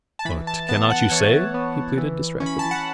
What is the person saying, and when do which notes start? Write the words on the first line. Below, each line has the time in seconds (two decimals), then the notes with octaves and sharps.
"But cannot you say?" he pleaded, distractedly.
0.19 A5
0.25 E3 B5
0.47 A5
0.68 B3 A5
0.90 F#5
1.11 E3 C#5
1.54 B3
1.98 E3
2.40 C#4
2.46 B5
2.59 A5
2.71 F#5